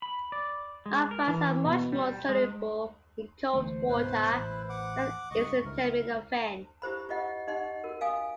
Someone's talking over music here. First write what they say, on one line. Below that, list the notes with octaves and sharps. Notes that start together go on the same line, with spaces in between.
Opiates are much more soluble in cold water than acetaminophen.
B5
D5
G#3
A#4
E3
B2
G3
G#3
D2 E3 A3 C5
C#2 G#2 B2 E4 B4
A1
F#5 D6
C#2 G2 D#5 C#6
C#2 E4 A#4
E4 G4 C5 B5
F4 G4 D#5 F#5
D#4 G4 D#5 F#5 C6
F#4 A#4
F5 G#5 D#6